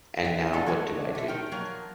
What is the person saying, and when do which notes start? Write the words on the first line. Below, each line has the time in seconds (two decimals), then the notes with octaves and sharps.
And now, what do I do?
0.25 B3 D#4 E5
0.53 A3 D4 F4 A4 D#5
0.66 E3 F#3 G#3 A3 F#4 G4
1.15 D3 E5
1.28 D#3 D#4 A#4 G5
1.52 F3 F#3 A#3 A#4